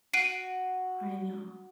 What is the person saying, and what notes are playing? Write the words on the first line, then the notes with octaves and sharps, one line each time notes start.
I know.
F#4 C7 D7 D#7